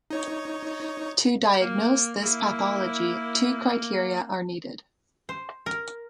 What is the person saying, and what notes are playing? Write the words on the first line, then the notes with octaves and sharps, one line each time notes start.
To diagnose this pathology, two criteria are needed.
D#4 C#5
A#3
A#3 E4
C5
A#4